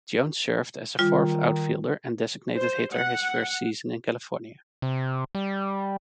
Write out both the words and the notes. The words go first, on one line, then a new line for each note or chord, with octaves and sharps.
Jones served as a fourth outfielder and designated hitter his first season in California.
D#3 G3 F4
C5
F#5
C3
G3